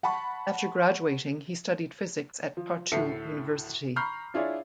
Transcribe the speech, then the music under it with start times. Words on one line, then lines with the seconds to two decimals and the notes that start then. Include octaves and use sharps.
After graduating he studied physics at Tartu University.
0.03 F#5 A5 B5 C#6
2.57 F3
2.92 D2 A2 A4 E5 C7 C#7
3.96 A#5 B5 C#6 F6 G6 C7
4.34 D4 E4 F4 G#4 C#5 D5